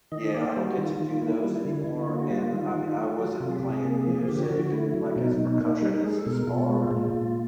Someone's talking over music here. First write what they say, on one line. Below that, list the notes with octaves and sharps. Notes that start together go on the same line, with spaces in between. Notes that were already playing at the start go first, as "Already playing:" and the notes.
yeah, I don't get to do those anymore, and, I mean, I wasn't playing music and, like, as a percussionist, it's hard, and,
D#3 D#5
A#3 D5
C5
G3
F#4
D#3 F4
F4
D#3
F4
A#3 E4
G3
D3 E4
D3
A#3 F4
F#4
G3 F4
D#3
D#3
A3
F#3
C3 F4
G#4
G4
C3
G#4
A#3
F3
G#4
D3 G4
F#4
D3
F#4
A3 E4
F#3
E4
B2 D#4
B2
A#3
G3
G#3 G#4
A4
B2
A#4
B2 F4
G#3
A#2
A#2